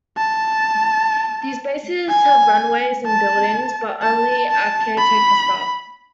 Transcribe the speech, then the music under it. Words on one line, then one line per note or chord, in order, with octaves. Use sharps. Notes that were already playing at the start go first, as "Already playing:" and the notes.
These bases have runways and buildings, but only a caretaker staff.
A5
G#5
A5
A5
A5
B5